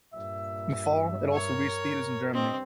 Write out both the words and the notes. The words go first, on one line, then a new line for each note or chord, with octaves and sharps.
In the fall, it also reached theatres in Germany.
G2 A#2 E5
A#4 C#5
G2 C4 D#5